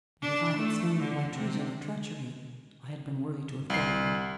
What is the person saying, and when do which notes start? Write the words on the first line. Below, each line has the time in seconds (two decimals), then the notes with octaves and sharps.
And if I had slain them by treason or treachery I had been worthy to have died.
0.22 D4
0.57 A3
0.99 D3
1.35 C3
3.70 C2 C7